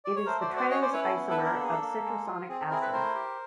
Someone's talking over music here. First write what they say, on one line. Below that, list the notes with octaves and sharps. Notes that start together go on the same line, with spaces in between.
It is the "trans"-isomer of citraconic acid.
D5
C#5
A3 A#4 C5
C5 D5
F#4
C5 D5
C#4 C#5 D#5
C5 D5
E4 B4 C#5
A4
B3
A4 B4
D4
A#4
A4
A#3 G#4
A4
A#3
G#3
F4
C4 G#4
A4
E4 G#4 A#4
A4 B4
A3 A#4 C5
G4